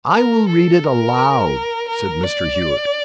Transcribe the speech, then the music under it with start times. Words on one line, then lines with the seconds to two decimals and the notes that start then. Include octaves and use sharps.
"I will read it aloud," said Mr. Hewett.
0.14 A#4
0.48 A4
0.84 A#4
1.88 A#4
2.24 D5